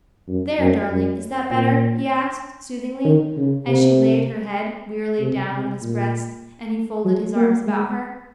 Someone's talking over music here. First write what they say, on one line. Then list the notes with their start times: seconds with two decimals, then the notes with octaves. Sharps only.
"There, darling, is that better?" he asked, soothingly, as she laid her head wearily down on his breast, and he folded his arms about her.
0.28 F#2
0.60 F#2
0.90 F#2
1.51 A#2
3.05 D#3
3.36 C#3
3.67 C3
5.20 C3
5.51 C3
5.82 A#2
7.05 F#3
7.35 A#3
7.66 G#3